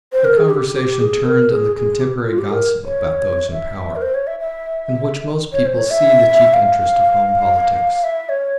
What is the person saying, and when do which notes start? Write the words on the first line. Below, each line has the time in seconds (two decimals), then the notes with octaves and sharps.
The conversation turned on the contemporary gossip about those in power, in which most people see the chief interest of home politics.
0.13 C5
0.24 A#4
0.37 G#4
0.50 G4
0.75 G4
1.00 G#4
1.25 A#4
1.51 G#4
1.76 G#4
2.01 G4
2.26 F4
2.38 G4
2.51 A#4
2.84 C#5
3.51 E5
3.96 A#4
4.02 C5
4.15 C#5
4.27 E5
4.39 E5
5.53 C#5
5.65 C5
5.78 C#5
5.90 E5
6.53 F5
8.04 E5
8.29 C#5